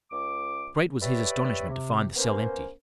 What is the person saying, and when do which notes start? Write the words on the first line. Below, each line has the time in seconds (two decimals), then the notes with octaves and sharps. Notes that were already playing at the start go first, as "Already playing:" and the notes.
Great was his astonishment to find the cell empty!
0.11 C#2 D6
1.01 G4 B4 C#5 D5 E5
1.68 C3
2.15 A#3 B3 C#4 C5